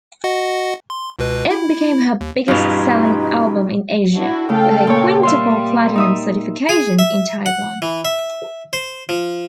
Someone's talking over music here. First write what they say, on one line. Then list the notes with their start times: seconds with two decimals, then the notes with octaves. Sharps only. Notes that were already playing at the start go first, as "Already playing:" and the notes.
It became her biggest-selling album in Asia, with a quintuple platinum certification in Taiwan.
0.24 F#4 D#5 F#5
0.90 C6
1.19 C#2 B2 B4
1.50 E4
2.21 D#2
2.48 G2 B2 C#4 D#4 F4 G4 B4
4.14 D4 E4 F#4
4.49 C#3 A3 A4 F5 G5
4.87 A#2 C#5
5.23 G3 E5 F5 C6
5.96 D#4 E5 D#6
6.69 G#4
6.99 E5
7.46 F#5
7.82 E3
8.05 E5
8.73 C5
9.09 F3